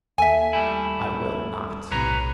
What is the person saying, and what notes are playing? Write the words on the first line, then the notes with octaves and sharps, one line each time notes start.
"I will not."
D#2 A4 E5 G#5
G3 A3 E4
B1 A2 C3 B4 C#5 A#5